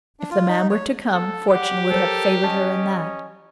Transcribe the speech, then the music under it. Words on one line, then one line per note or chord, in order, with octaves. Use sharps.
If the man were to come, fortune would have favoured her in that.
D4
F4
D#4
C#5
A4
G4 F#5 D6
A4 A#4 C5 C#5
C#4 D#5 A5